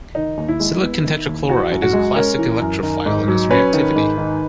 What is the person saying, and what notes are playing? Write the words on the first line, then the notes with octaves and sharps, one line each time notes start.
Silicon tetrachloride is a classic electrophile in its reactivity.
D#3 D#4
D#2
E4
G#3
B3
D#3
D#2
E3 F#4
F#2
F#4
G#3
C#4 A#4
E3
F#2
D#3
G#2
F#3
C#4 B4
D#3
G#2
D#3